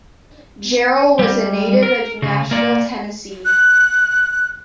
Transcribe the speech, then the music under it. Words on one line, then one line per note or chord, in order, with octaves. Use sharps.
Jarrell was a native of Nashville, Tennessee.
G3
A#4
C#3
A#3 D5
F#6